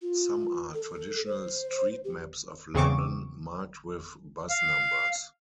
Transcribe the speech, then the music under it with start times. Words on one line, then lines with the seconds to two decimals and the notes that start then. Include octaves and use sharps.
Some are traditional street maps of London marked with bus numbers.
0.02 F4
0.74 A4
1.26 C5
2.05 G4
2.74 E2 C#3 C4 C#6 D6
4.49 F5